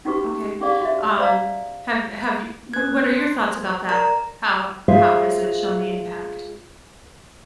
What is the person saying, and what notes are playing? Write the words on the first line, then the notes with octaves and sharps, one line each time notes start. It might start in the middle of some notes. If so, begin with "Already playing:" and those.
Okay, um, have have y w what are your thoughts about that? How h how has it shown the impact?
C#4 D#4 F#4 G4 B4 C#6
C#4 G4 G#4 D5 F5
F#4 E5
C5 D5 F5 A#5
C#4 F#6 G#6
C5 C6
A#4 D5 A#5
G#3 F4 G#4 C5 E5 F5